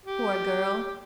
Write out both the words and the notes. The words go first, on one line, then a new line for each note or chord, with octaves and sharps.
Poor girl!
G4